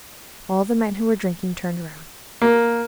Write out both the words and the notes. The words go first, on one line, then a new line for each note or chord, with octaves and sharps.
All the men who were drinking turned round.
A#3